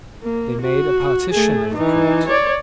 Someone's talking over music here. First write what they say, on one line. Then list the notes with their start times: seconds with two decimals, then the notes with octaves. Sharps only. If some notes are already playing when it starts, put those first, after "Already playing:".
They made a partition of the court.
0.23 A#3
0.62 F#4
1.33 A3 G#4
1.75 E3 D#4
2.28 C#5 D5